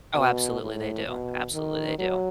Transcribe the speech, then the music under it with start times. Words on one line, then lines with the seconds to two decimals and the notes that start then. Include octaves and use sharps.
Oh, absolutely, they do. Absolutely, they do.
0.15 B2
0.61 A2
1.06 B2
1.53 D#3
1.99 F#3